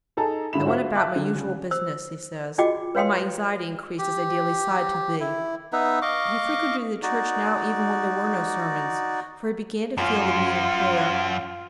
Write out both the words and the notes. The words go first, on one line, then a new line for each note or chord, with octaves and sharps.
"I went about my usual business," he says, "while my anxiety increased as I daily sighed to Thee." He frequented the Church now even when there were no sermons, for he began to feel the need of prayer.
D#4 G#4 A4 A5 A#5
G#2 D3 E4 B5 E7
F4 F#4 C5 E5 F#5
E5 F5 A5 D6 F#6
D3
C#3 G3
C5 E6
F4 F#4 G#4 D#5 G5 D6
B4 C#5 F5 G5 C6
G4
E4
B3 D#4 B4 E5
D#5 F5 C#6 D6
D#4 F#4 D5
F#2 F4